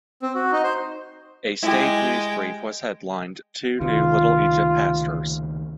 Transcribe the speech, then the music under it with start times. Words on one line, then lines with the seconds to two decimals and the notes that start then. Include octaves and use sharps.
A state news brief was headlined, Two New Little Egypt Pastors.
0.22 C4
0.35 F#4
0.52 D#4
0.64 C5
1.63 G#3 E4 G4 G5
3.81 C#2 C3 D#3 F4